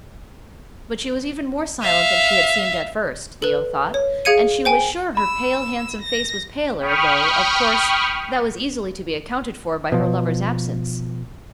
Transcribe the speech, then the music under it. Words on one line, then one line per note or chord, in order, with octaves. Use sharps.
But she was even more silent than she had seemed at first, Theo thought, and she was sure her pale, handsome face was paler, though, of course, that was easily to be accounted for by her lover's absence.
E5 F5
A4 B4
C#5
G#4 F5 G#6 C#7 D#7
C5 G5 G#5
B5 E6
A#6
G5 B5 C#6 D#6 F6
B2 F3